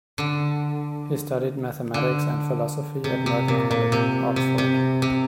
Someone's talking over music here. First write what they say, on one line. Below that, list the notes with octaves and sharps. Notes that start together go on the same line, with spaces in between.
He studied mathematics and philosophy at Merton College, Oxford.
D3
D3
C3
C3
A#2
A#2
C3
C3
C3
C3